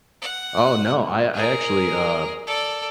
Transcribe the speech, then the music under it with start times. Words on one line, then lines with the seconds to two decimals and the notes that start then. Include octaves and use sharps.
Oh, no. I I actually, uh,
0.22 F#5
1.34 G#4 A#4
2.47 A4 D5